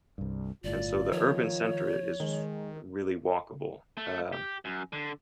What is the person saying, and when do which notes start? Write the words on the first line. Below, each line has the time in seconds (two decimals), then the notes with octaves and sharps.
and so the urban center i is really walkable, uh,
0.18 C2 G2
0.64 G1 A2 F4 D5
1.12 D#3 F3 C#5
2.20 D#3 G#3
3.98 A3
4.33 G4
4.65 F#2
4.93 D3